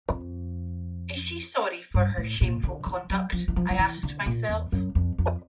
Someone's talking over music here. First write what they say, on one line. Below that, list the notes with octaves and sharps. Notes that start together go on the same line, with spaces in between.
Is she sorry for her shameful conduct? — I asked myself.
F2
G2
A2
A#2
D3
E3
F#3
F3
E3
F3
F3
E3
D3
A#2
E2
F#2
F2
F2